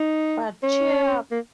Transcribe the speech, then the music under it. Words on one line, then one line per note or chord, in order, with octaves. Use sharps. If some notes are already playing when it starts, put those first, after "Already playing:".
But cheer up!
Already playing: D#4
C#4
A#3